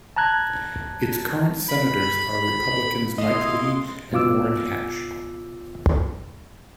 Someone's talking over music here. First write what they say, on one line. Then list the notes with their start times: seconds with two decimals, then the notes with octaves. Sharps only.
Its current senators are Republicans Mike Lee and Orrin Hatch.
0.16 A5 A#5 F#6 G#6
1.69 B5
3.18 G#3 E4 D#5 F5 C6
4.12 C#2 B2 F4 D6 E6